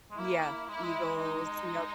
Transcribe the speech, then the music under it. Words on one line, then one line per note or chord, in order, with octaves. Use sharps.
Yeah, Eagles, yup.
G#3
A#3 E4
G#3 E4
A#3
G#3
D#4